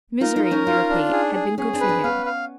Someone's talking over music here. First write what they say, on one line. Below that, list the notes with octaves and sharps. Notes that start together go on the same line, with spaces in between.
Misery, we repeat, had been good for him.
D#4 F4 A#4
D#4 F4
A#4
C#4 D#4
C#4 D#4 F4
D4
G#4
G#4
B3 C#4 G#4
C4 D4
B4
C4 D4
B3 C#4 F5
F5